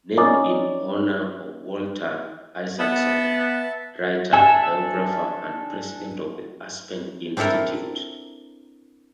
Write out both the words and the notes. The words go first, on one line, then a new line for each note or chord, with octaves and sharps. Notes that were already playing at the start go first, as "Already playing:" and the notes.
Named in honor of Walter Isaacson, writer, biographer and president of the Aspen Institute.
C#4 D#4 D5
B3 E5 A5
D4 A4 E5 G#5
C4 D4 E4 A4 A#4